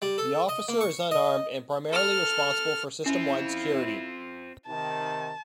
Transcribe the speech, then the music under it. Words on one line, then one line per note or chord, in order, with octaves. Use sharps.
The officer is unarmed and primarily responsible for system wide security.
G3
A4
D#5
A#3
C#6
D#5
A4 F6
C4 C#4 E4 F4
C3 D#3 A5